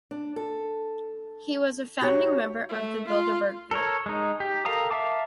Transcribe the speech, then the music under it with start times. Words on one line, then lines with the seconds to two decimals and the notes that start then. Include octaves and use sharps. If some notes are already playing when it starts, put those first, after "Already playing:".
He was a founding member of the Bilderberg Group.
0.11 D4
0.36 A4
2.01 D#4 F#4 G4 C#5
2.69 A3
3.07 F4
3.71 A4 A#4 C#5
4.06 G#3 D#4
4.40 G4
4.65 A4 A#4 F5 A#5 D#6
4.90 E5 F5 A5 D6